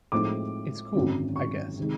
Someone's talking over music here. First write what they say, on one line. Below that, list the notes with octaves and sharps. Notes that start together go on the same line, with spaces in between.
It's cool-I guess.
A2 F3 G#3 C4 D#4 D6
G#1 F#2 D3 F#3
C#6
C3 D#3 G#3